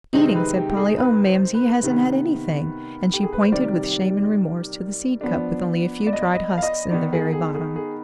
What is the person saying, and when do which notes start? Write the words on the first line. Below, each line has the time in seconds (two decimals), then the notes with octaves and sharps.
"Eating!" said Polly, "oh mamsie, he hasn't had anything." And she pointed with shame and remorse to the seed-cup with only a few dried husks in the very bottom.
0.13 C3 D#3 G#3 C4 D#4
0.35 B4
0.56 G4
0.70 G4
0.77 G#4
0.98 B4
1.26 C5
1.54 B4
1.83 C3 D#3 B3
3.13 G4
3.23 G#4
3.32 B4
3.43 C5
3.52 C3 D#3 G3 D5
5.21 F3 B3 D4
6.07 D5
6.13 D#5
6.21 D5
6.34 D#5
6.58 F5
6.63 D#5
6.90 D#3 B3 D#4 D5
7.13 G#4
7.33 G#4
7.55 G#4
7.76 G#4